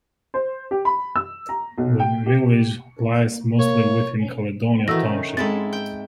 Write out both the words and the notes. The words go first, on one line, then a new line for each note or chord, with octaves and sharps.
The village lies mostly within Caledonia Township.
C5
G4
B5
E6
A#5
B1
G5
G4
A#3 C#5
D#3 E3 A3 F#4 E6 A#6
C#4
G#2 G#3 C4 E4 A4 A6
G5